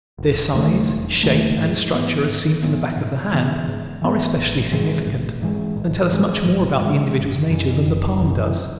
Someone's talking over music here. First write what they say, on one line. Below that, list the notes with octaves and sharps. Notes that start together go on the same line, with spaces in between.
Their size, shape and structure as seen from the back of the hand are especially significant and tell us much more about the individual's nature than the palm does.
E1
D#2 D#3 A3
E1
D#2 D#3 A3
G#2
E3 B3
G#2
E3 B3
G#2
E3 B3
G#2
E3 B3
A1
G#2 E3 G#3
A1
G#2 E3 G#3
A1
G#2 E3 G#3
A1
G#2 E3 G#3
F#1
F#2 E3
F#1
F#2 E3